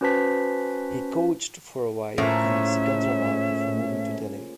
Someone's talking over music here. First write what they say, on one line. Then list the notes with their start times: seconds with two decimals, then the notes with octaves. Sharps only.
He coached for a while in Secunderabad before moving to Delhi.
0.01 C#4 F#4 B4 C5 A5 B6
2.18 A2 C#3 F3 A#3 C#4 E5